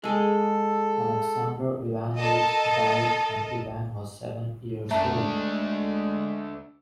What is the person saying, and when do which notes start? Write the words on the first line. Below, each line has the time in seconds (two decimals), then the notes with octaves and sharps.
Alexander Ivanovich died when Ivan was seven years old.
0.04 G#3 G#4 A4
2.15 A4 A#4 D#5
4.91 F#2 A3 D4 E5 A5 A#5
5.18 G#3